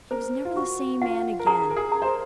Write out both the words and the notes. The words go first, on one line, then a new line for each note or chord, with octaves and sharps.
He was never the same man again.
A#4 C5
F4
F#4 C#6
F4 F#5
A#4
G#4 A#5
A#4
G#4
A#5
C5
A#4